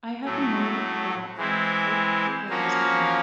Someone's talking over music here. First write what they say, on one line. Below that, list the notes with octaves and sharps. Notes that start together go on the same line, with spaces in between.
I have a Nordic walk booked for this morning.
A2 F#3 A3
E3 G#3 C4 E4
F3 A#3 C#4 F#4